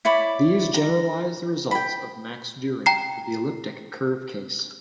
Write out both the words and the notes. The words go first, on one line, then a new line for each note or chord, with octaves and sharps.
These generalise the results of Max Deuring for the elliptic curve case.
E4 C#5 D5 B5
A#5
G5 B5
G5 A#5 C7